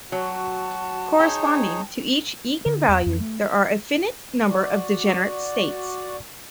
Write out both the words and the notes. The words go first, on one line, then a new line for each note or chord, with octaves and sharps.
Corresponding to each eigenvalue there are a finite number of degenerate states.
F#3 F#4 A5
D#4 G#4 C#5 G5
D3
E2
F2
A3
F#4 D5